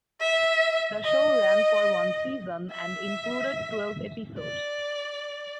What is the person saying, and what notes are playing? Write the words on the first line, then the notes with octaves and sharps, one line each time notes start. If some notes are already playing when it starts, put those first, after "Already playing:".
The show ran for one season and included twelve episodes.
E5
D#5
E5
D5